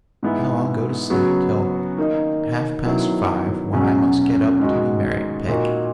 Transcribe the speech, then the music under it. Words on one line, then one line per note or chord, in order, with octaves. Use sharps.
And now I'll go to sleep till half-past five, when I must get up to be married, Peg!'
G#2 E3 B3 E4
C#3 F#3 B3 F#4
D#3 A#3 D#4
D#3 F#3 B3 E4
E2 B2 F#3 C#4
G#2 D#3 G#3 D#4 F#4
A#2 A#3 D#4 F#4